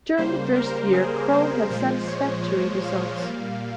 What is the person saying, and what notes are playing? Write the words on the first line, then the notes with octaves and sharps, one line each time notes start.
During the first year Kroll had satisfactory results.
C#3 G3 A#3 C5
A#4
G#4
C5
A#2 F3 G#3
C#5
F5
A#2 G3 A#3